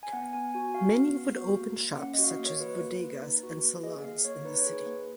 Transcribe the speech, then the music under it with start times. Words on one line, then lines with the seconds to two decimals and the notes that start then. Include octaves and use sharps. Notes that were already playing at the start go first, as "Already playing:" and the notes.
Many would open shops such as bodegas and salons in the city.
0.03 G#5
0.13 B3 F#5
0.33 B3 G#5
0.54 F#4 G#5
0.74 F#4 F5
0.96 B3
1.16 B3
1.37 F#4
1.57 A#3
1.78 A#3
1.98 C#4 F#5
2.14 F#4 D#5
2.24 F5
2.29 D#5
2.39 A#3
2.44 C#5
2.60 F#4 B4
2.81 A#3
3.01 A#3
3.22 D#4
3.43 F#4
3.64 A#3
3.83 G#4 D#5
4.04 A#3 F5
4.25 A#3 C#5
4.45 D#4 B4
4.59 C#5
4.66 G#4
4.73 B4
4.86 A#3